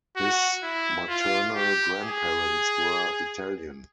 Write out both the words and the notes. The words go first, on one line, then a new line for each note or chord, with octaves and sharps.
His maternal grandparents were Italian.
F#4
E4
F4
G4
G#4